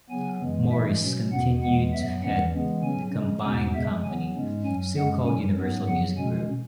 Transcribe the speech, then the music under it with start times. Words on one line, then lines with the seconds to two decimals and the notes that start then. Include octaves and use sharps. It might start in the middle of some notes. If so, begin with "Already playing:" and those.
Morris continued to head the combined company, still called Universal Music Group.
0.10 C#3 F#3 B3 G#5
0.41 F#2 E3 G#3
0.70 G#2 E3 G#3 E5
1.02 B2 F#3 C#4
1.31 E2 B2 B3 F#5
1.61 E2 E3 G#3 B3 F#5
1.93 F#2 F#3 B3 E5
2.23 E2 E3 C#4 F#5
2.53 C#3 E3 G#3 B3
2.83 C#3 F#3 C#4 G#5
3.14 C#3 G#3 C#4
3.44 E2 B2 B3 G#5
3.74 F#2 C#3 G#3 E5
4.04 C#3 F#3 B3 G#5
4.36 G#2 G#3 C#4
4.65 F#2 F#3 C#4 G#5
4.96 F#2 C#3 G#3 C#4 F#5
5.26 F#2 F#3 C#4 G#5
5.57 G#2 F#3 B3
5.87 F#2 C#3 F#3 F#5
6.18 B2 G#3 C#4 G#5